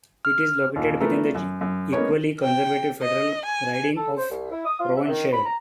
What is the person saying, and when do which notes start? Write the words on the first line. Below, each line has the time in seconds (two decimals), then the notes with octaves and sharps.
It is located within the equally conservative federal riding of Provencher.
0.25 F6
0.76 D#2 A#2
1.00 E3 F3 A3 B3 A4 A#4
1.35 F#2
1.61 F#2
1.93 G#3 A#3 B3 C#4 C#5
2.43 G5
3.02 D#5
3.46 G#5
3.97 A4
4.17 C5
4.30 C2
4.51 E4
4.65 D#6
4.80 F4
4.96 E5
5.08 D#3
5.33 B5
5.45 A#5